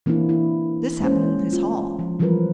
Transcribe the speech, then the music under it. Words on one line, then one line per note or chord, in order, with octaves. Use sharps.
This happened in his hall.
E3 A#3 C4 D4 E4
E4
G#3 A#3 C#4 C5
F4
F3
E3 F3 G3 F4 A#4 B4